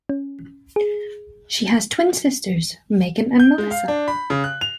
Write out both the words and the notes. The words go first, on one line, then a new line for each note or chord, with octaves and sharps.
She has twin sisters Megan and Melissa.
C#4
G#4
G6
G#3
F5
D4
B5
C#3
F#6
F7